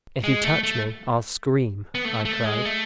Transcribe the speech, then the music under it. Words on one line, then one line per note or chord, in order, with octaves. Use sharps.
"If you touch me, I'll scream," I cried.
G#3
A3
A3
B3
A3
A3
G#3
A3